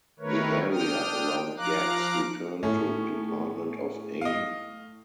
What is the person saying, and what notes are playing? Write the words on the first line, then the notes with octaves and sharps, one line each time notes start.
The area around Gex returned to department of Ain.
D#3 A3 A#4 B4 C#5
D4 G5 D#6 F6
F3 F5 A#5 D6 F#6
A2 A3 C#4 G#4
D#5 F5